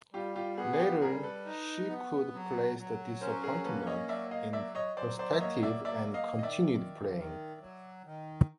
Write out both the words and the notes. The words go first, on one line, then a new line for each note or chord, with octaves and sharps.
Later she could place the disappointment in perspective and continued playing.
G3 F4 G4
F4 G4
B3 F#4 G#4
G#4
F4 G4
G3 G#4 A#4
A4 B4
D#4
B3
F#3
F#3
C#4 A#4 C5
G#4 A#4
A#3 A4 B4
C#5 D#5
F#3 D5 E5
D#5 F5
F#3 D5 E5
C#5 D#5
F#3 C5 D5
C5 D5
E5
A#3 C#5 D#5
D5 E5
F#3 D5 E5
D#5 F5
D#3
D#5
D5 E5
D#3
D#3
F#3
D#3